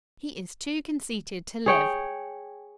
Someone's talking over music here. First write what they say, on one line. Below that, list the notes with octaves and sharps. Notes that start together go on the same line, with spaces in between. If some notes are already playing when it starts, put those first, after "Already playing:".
"He is too conceited to live."
G#4 C#5 G5